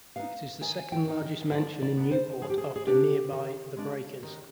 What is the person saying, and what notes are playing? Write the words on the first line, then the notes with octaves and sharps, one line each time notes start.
It is the second largest mansion in Newport after nearby The Breakers.
B3 D#4 F5
D#3 G#5
G5
B3 D#4
D#5
F3 D5
D5
B3 D4
C5
F3 G#4
G4
G#4
G#4
B3 D4 G4
D#3
G#3 D4
D#3